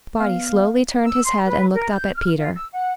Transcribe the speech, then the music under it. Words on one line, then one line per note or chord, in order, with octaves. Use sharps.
Spotty slowly turned his head and looked up at Peter.
B3 F5
E6
C6
B4
A#4
G6
F6
F4
E6
F#5